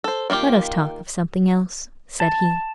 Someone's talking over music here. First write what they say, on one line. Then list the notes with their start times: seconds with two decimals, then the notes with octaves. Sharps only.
"Let us talk of something else," said he.
0.04 A4 C5
0.30 D#3 A#3 F4 G4
2.20 A5